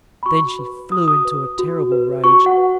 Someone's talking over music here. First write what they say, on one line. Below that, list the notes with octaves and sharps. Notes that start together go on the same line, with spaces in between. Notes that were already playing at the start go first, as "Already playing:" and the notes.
Then she flew into a terrible rage.
B5
F#4 C#6
B4
F#4 D#6
D#6
B4
F#4
B4
F#4 C#6
F#5
B4